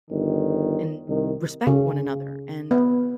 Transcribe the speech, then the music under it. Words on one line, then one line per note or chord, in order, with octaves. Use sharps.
and respect one another, and
G1 D#3
C2 D#3
C#3
B3